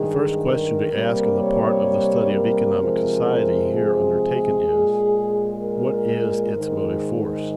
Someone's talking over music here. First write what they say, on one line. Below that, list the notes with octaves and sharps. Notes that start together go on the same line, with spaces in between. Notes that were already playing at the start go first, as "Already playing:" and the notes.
The first question to ask in the part of the study of economic society here undertaken is: What is its motive force?
Already playing: G2 D#3 G#3 G#4
A#4
C3 G3 A#3
C#5
A#4
C3 F3 G#3
G#4
A#2 G#3
A#4
G#2 D#3 G#3